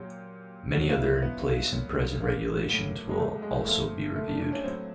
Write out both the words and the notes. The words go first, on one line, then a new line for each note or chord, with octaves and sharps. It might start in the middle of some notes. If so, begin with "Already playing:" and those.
Many other in place and present regulations will also be reviewed.
Already playing: A#2 F#3 G4
B2 F#3 F#4
F4
E4
B3
A#2 F#3
A#3
A2 F#3
G#3
A3
G#3
A#2 F3 A3
A3
D4
D4
C#4
A2 F#3 C4